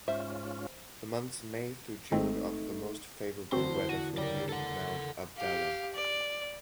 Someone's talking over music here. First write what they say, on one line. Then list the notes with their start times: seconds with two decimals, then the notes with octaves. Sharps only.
The months May through June offer the most favorable weather for viewing Mount Abdallah.
0.08 G#2 C#4 F4 C5 E5
2.12 G#1 G#3 A3 C4 D#4
3.52 E2 D3 A3 C4 F#4 C5
3.89 F#4 D#7
4.17 C#3 D4 G4 A#4 D5
4.49 A4 F#5
5.37 G4 F5
5.94 D5